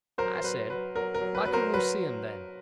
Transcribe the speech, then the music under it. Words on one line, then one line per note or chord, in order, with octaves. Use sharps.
I said, why couldn't we see them, then?
F#3 A#4 C5
C5
F#3 B4
F#3 B4
F#3 A#4
A#4
F#3
B4
F#3 B4
A#4 C5
F#3 B4